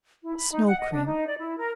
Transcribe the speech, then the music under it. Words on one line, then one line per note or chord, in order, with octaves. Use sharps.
Snow Cream.
E4
B5
D#4
F#5
D#5
D4
D#4
D5
E4
A#4